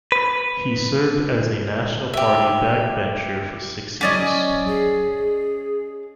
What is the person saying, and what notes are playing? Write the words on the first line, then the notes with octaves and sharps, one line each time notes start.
He served as a National Party backbencher for six years.
B4
G4 E5
F#3 C#4 D5 D#5
G#4